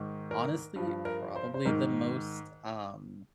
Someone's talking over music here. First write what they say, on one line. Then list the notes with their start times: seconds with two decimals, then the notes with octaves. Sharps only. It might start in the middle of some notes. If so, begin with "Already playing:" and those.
honestly, probably the most, um,
Already playing: G#2 D#3
0.31 A#4
0.76 G2 F3
1.05 A#4
1.36 C5
1.54 C5
1.65 G#2 D#3 A#4